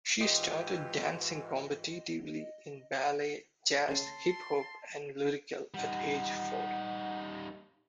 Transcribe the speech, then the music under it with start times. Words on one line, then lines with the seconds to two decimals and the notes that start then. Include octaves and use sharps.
She started dancing competitively in ballet, jazz, hip hop, and lyrical at age four.
0.21 G#2 E3 F4 G4 D#5
3.88 C#3 C#4 A5 C6
5.74 G3 D#4 F#5